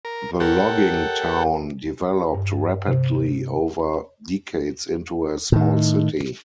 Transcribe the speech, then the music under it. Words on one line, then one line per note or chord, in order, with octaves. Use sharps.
The logging town developed rapidly over decades into a small city.
A#4
G4 A4 A#4 C#5 F#5 G5
G2
C3
A2 D#3